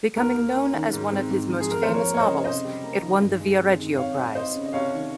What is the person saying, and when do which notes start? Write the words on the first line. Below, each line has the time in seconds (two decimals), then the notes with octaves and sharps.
Becoming known as one of his most famous novels, it won the Viareggio Prize.
0.16 D#2 A#4
0.35 A#3
0.54 C#4
0.73 D#3
0.93 G#2
1.12 C4
1.30 G#2
1.49 F3
1.60 G#4
1.69 F2 A#4
1.83 C5
1.88 F3
1.93 A#4 C#5
2.07 A#3
2.14 C#5
2.19 C5 D#5
2.26 C#3
2.44 C3 C5 D#5
2.64 G3
2.83 A#3
3.01 D#3
3.21 G2
3.39 G#3
3.59 C4
3.79 D#3
3.97 F2 C#5 F5
4.16 G3
4.35 C4 C5 D#5
4.54 C#3
4.66 D#5
4.73 C2 C#5 F5
4.92 D#3